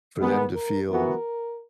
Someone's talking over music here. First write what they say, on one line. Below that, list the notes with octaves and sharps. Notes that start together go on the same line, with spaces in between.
for them to feel,
D#3 G#3 B3 G#4
A#4
E3 B3 F#4 A#4